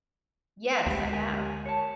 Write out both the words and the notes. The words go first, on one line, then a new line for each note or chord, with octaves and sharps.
Yes, I have.
D2 G#3 B3 E4 G4
G4 A#4 G#5
C#5 A5